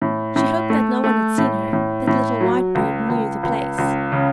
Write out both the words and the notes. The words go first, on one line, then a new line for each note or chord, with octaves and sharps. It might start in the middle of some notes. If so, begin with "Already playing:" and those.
She hoped that no one had seen her, but little Whitebird knew the place.
A2
A2
A3
A3
A2
A2
A2
F#3
C#2
C#2
C#2
C#2
C#3